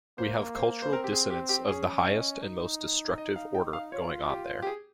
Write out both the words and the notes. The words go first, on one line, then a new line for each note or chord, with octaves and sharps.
We have cultural dissonance of the highest and most destructive order going on there.
A#3 C5
C5
C5
C4 A#4
G4
G#4
G4
G4
C#4 G#4
D#5
D#4
D#5
F5
G5
F5
F4 C#5
G4
G4
G#4